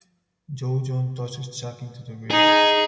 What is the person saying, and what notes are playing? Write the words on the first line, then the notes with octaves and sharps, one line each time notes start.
Joe John tosses Chuck into the river.
D#4 G#4